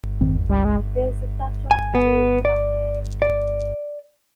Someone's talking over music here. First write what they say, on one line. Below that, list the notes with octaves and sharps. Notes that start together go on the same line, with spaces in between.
There’s a touch of grey in my hair.
F2 D#3 C4
E2
C#2 G3
G#3
G#5
B3
D5
D5